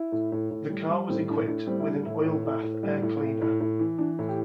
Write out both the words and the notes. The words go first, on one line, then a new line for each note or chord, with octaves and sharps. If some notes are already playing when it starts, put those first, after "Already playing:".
The car was equipped with an oil bath air cleaner.
Already playing: E4
A2
A2
A2
G3
G3
A2 C4
A2 D4
A2 D4
G3 C4
E4
A2 D4
A2 E4
A2
A2
A2
G3
A2
A2
A2
A2
E3
E3 D4
A2
G4